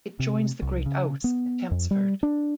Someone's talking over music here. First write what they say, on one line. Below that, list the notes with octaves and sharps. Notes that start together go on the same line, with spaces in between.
It joins the Great Ouse at Tempsford.
C3
C2
C#3
B3
F2
G3
D4